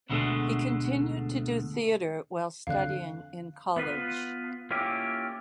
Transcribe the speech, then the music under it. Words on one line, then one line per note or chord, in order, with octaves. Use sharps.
He continued to do theatre while studying in college.
D2 B2 D3 F#3 G#3 A3
F2 D3 F5 F#6
B3 F4 B4
A#3 C#4 E4 F4 G4